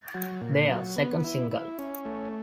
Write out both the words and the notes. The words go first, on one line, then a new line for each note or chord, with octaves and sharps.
Their second single.
F#3
A#2
F#3
B3
E4
E4
C#4
A3